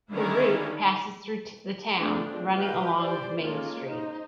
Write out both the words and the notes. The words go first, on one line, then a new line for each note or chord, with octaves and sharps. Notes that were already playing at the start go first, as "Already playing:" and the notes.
The route passes through the town, running along Main Street.
D3 D#3 A#3 C#4 D4 E4
G#3 A3 B3 C4 D4 F4
F#4 B4 D#5 F5 G5
G4 C5 D5
G#3 A#3 C#4 F4 A4
D#4 C5